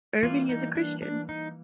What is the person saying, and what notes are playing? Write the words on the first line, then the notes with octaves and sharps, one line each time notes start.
Erving is a Christian.
E3 G3 A#3 F4
D#4
D4
D4
D#4